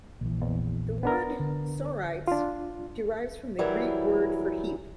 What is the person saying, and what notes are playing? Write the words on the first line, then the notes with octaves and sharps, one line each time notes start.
The word "sorites" derives from the Greek word for heap.
A#1 E3
E2
B3 D4 A#4
D3
D4 F4
E3 F#3 G3 E4 A#4